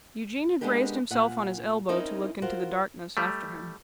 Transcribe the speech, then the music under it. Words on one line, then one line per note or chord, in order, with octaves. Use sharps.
Eugene had raised himself on his elbow to look into the darkness after him.
G#3 A3 B3 D4 G4 A#4
A#2 F#5
C4 C#4 D#4 E4 A#4
F4 F#4 A#4 C5
G3 A3